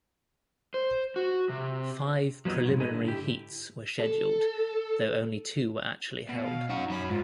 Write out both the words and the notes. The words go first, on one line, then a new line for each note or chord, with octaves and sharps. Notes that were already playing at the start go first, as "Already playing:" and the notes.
Five preliminary heats were scheduled, though only two were actually held.
C5
F#4
C3
F3 F#3 B3 D#4
G#2 B2 F#3
D#4 G#4 A4 B4 C#5 D#5
D3
G#2 E4 G4
A4
B2
F5
C#4 D#4 F#4
F#3 C#4 B5
G#2 F4